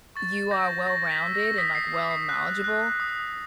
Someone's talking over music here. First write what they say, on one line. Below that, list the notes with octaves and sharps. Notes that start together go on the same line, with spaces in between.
you are well-rounded and, like, well knowledgeable
C#6 A6
G6 A#6
C#6 A#6
B6
E6
A#6
D#6 B6
C7
D#6
C7
F#6
F#6
D#6